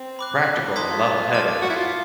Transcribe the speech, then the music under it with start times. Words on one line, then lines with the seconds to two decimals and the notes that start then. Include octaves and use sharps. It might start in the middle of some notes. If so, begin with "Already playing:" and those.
practical and levelheaded
Already playing: C4
0.19 B5 D6 F#6
0.57 C#4
0.66 D4
0.76 D#4 A5 C6 D#6 G#6 B6
0.91 F4
1.33 D6 F6 A6
1.62 F#4
1.70 E4
1.76 F4